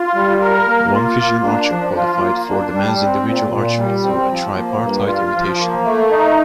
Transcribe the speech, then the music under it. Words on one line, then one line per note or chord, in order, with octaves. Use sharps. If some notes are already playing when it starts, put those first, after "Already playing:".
One Fijian archer qualified for the men's individual archery through a tripartite invitation.
Already playing: F4
G3
A#4
A#3
F4
A#3
D4
F3
F4
A#3
D4
G3
C4
A#2
A#2
G3
C4
F3
A#3
G2
F4
F3
A#3
A3
D#4